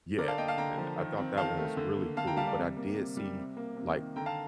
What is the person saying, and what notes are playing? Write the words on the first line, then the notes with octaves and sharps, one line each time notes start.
Yeah, and I thought that one was really cool, but I did see, like,
D3 A#4 D5
F5 A5
A#3 D#5 G5
F5 A5
D3 G5 A#5
F3
D#3
C4
D#3 F5 A5
A3
D3
A#3
D3 F5 A5
G5 A#5
G3 F5 A5
D5 F5
C3
A#3
C3
G3
C3
A#3
C3
D#3
D3 G5 A#5
F5 A5